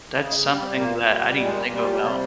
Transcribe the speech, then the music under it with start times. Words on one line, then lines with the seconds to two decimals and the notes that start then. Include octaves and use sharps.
That's something that I didn't even think about.
0.12 C#3 G3
0.29 G#3
0.44 G3 A#3
0.61 C4
0.76 A#2 A#3
1.09 G3
1.40 A#2 G#3
1.72 G3
2.03 C3 A#3